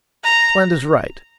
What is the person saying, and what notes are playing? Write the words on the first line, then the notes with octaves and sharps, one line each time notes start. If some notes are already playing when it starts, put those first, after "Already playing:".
Land is right.
A#5